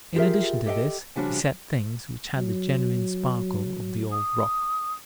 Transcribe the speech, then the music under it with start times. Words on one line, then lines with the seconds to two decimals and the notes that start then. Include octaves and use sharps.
In addition to this, he said things which had the genuine sparkle of the old rock.
0.15 F4 G4 G#4 A#4 E5
0.66 G4 A4 D#5 F5 G5
1.16 C#3 F3 G3 C#4 D4 F#4
2.36 F#3
4.12 D#6